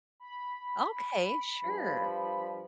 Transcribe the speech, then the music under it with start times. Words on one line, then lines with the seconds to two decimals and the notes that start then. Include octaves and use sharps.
Okay, sure.
0.20 B5
1.64 G2 F3